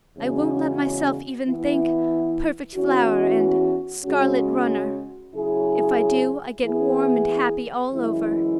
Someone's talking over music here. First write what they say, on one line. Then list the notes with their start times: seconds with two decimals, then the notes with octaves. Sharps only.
I won't let myself even think "perfect flower" and "scarlet runner." If I do, I get warm and happy all over.
0.17 E2 C#3 G#3 C#4 F#4
1.47 E3 B3 E4
2.76 E2 E3 C#4 F#4
4.05 C#3 G#3 C#4 F#4
5.34 C#3 F#3 E4 G#4
6.63 E3 B3 E4 G#4
7.92 F#2 E3 G#3 E4